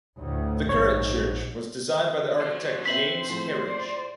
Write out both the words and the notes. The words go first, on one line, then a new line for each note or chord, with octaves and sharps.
The current church was designed by the architect James Kerridge.
D2 A2
A#1 G#2 C#5
F#3 C5
C4 C#4 B4 C5 E5 B6 F#7
A2 F3 G#3
D5